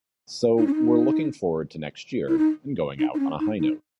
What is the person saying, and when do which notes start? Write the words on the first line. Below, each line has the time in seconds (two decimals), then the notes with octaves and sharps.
So we're looking forward to next year and going out on a high note.
0.58 D#4
0.67 C#4
0.75 D#4
2.29 E4
2.38 D#4
2.99 D#4
3.14 D#4
3.19 C#4
3.40 D#4
3.60 D#4